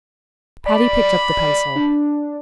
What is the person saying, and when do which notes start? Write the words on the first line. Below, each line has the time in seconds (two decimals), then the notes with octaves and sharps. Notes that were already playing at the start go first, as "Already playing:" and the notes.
Patty picked up the pencil.
0.66 D5 B5
1.75 D4